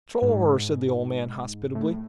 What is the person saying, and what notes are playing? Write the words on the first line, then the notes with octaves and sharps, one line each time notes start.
"Shore!" said the old man hospitably.
G#2
A2